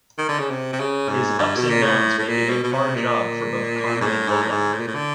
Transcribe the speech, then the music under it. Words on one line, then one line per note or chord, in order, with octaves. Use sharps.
His ups and downs make it a hard job for both Carmen and Lola.
D#3
D3
C#3
C3
C3
C#3
G#2
G2
B2
A#2
A2
A2
A#2
B2
B2
C3
A#2
G#2
A2
G#2
A2
G#2
A2
A#2
A2
D3